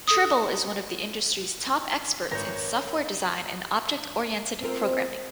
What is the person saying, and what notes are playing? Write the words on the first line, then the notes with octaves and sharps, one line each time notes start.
Tribble is one of the industry's top experts in software design and object-oriented programming.
A4 D#6
G#1 A#4 B4 C#5 G6 A#6
C4 F4 A#4